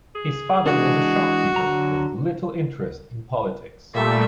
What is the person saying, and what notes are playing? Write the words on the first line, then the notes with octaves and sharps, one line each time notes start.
His father was a shopkeeper with little interest in politics.
G#4
E3 G#3 D4 F#4
D3 F#3 A#5
A#2 G3 A3 A4 E5